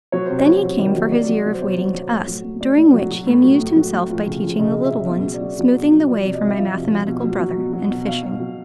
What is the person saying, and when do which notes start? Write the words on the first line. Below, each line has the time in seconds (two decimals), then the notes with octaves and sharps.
Then he came for his year of waiting to us, during which he amused himself by teaching the little ones, smoothing the way for my mathematical brother, and fishing.
0.12 F#3 C#5
0.26 C3 C5
0.39 C#5
0.46 F#3
0.63 F#3
0.79 D#3
0.96 F#3
1.12 F#3 D5
1.29 F#3
1.46 F#3
1.54 C5
1.61 B2 C#5
1.78 F#3
1.94 F#3
2.12 A2
2.27 F#3
2.44 A2
2.61 A2 D5
2.77 A2
2.94 F#3
3.11 F#3
3.27 A2
3.44 F#3
3.59 A2
3.76 F#3
3.94 A2
4.10 F3
4.27 C#3
4.43 F3
4.59 C#3 D#5
4.76 C#3
4.84 E5
4.93 C#3
5.09 B2
5.26 F#3
5.34 D5
5.41 F#3
5.59 F#3
5.75 B2
5.92 F#3
6.08 F3 D5
6.25 C3
6.33 D#5
6.41 C3
6.46 E5
6.57 F3 F5
6.74 C3
6.91 F3
7.08 B2
7.24 F#3
7.40 F#3
7.57 B2
7.73 F#3
7.90 B2
8.06 B2 F5
8.23 B2
8.40 F#3